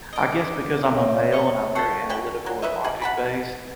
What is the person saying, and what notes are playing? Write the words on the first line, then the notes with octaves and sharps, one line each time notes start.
I guess because I'm a male and I'm very analytical and logic based,
D5 D#5
C#5 E5
D#5 C#6
A4 F#5 C6 C#6 A6
C#4 F#4 G5
F#3
B4 C#5 D#5 E5
G#4
F#5 A5 B5